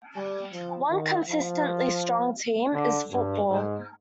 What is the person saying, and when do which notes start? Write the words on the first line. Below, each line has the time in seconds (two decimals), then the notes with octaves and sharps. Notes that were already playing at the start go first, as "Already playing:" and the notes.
One consistently strong team is football.
0.16 G3
0.53 F3
0.90 D#3
1.27 F3
2.74 D3
3.11 G2
3.49 G#2